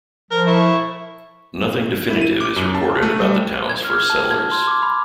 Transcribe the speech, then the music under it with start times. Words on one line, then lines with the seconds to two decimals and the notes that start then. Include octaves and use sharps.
Nothing definitive is recorded about the town's first settlers.
0.32 F3 A#4
0.47 E4 C#6
2.10 E4
2.21 D#7
2.41 D6
2.56 F#2
2.75 A5
3.02 A3
3.21 G3
3.70 G#6
3.85 F6
4.10 A5
4.31 G#6
4.51 C6
4.67 D6
4.82 B5